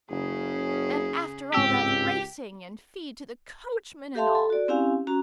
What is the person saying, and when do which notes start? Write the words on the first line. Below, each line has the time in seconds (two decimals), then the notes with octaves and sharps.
And after all that racing and fee to the coachman and all!
0.10 F#1 C#3 C#4 G#4
1.54 C#2 G#2 C4 G4 E6
4.15 G4 A4 E5 F5 A5 C6
4.35 A4
4.50 F#4 D5
4.68 C4 C#4 E4 G4 F5 G#5
5.07 C#4 F#4 A#5